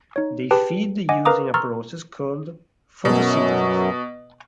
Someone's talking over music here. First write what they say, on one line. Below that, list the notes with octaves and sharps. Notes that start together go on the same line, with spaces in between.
They feed using a process called photosynthesis.
D#4 C#5
G4 G#4 B4 G5 A5
D#5 F#5 G#5 D6
A#4 B4 F5 A#5 D6 D#6
A#5 C6 C#6 E6 F6 A6
F#2 B2 F#3